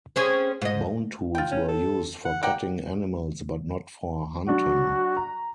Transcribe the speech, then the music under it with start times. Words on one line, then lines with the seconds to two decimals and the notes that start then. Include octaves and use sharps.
Bone tools were used for cutting animals but not for hunting.
0.16 C4 C#4 G#4
0.61 G#2 D#5
1.35 F4 G5
1.52 C#4
1.68 A4
2.25 F#5
2.43 A#3 D5 F#5 G5
4.48 F#3 D4 F#4
5.17 A#5